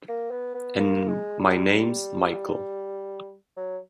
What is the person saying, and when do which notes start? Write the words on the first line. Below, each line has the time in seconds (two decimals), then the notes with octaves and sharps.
And my name's Michael.
0.09 A#3
0.31 B3
0.55 B3
0.78 A#3
1.08 G#3
1.40 G3
3.57 F#3